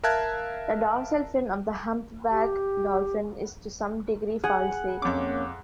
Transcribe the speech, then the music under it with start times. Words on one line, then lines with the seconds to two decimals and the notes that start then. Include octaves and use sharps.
The dorsal fin of the humpback dolphin is to some degree falcate.
0.04 A#4 E5 F5 A5 F#6 G#6
2.30 G4
4.44 G#4 F#5
5.02 F2 A#3 C#4 D6